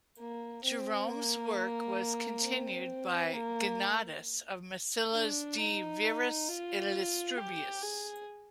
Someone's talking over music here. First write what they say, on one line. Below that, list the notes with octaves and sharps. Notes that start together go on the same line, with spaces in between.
Jerome's work was continued by Gennadius of Massilia's "De Viris Illustribus".
A#3
C4
A#3
C4
A#3
D4
D#4
F4
G4
G#4